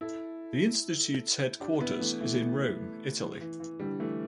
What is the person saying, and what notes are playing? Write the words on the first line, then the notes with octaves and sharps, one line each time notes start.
The Institutes headquarters is in Rome, Italy.
E4 A4
D4 G4
B3 E4
E3 A3
E3 A3
E3
E3
E3
D3 G3
E3 A3